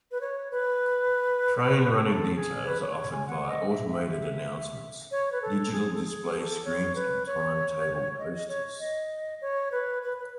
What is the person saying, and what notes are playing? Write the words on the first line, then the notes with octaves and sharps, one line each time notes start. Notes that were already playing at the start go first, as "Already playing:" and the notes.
Train running details are offered via automated announcements, digital display screens and timetable posters.
B4
C#5
B4
G#4
A4
G#4
B4
C#5
C#5
G#5
F#5
D#5
E5
E5
C#5
B4
A4
G#4
A4
G#4
A4
C#5
B4
C#5
D#5
D#5
C#5
D#5
C#5
B4
B4
B4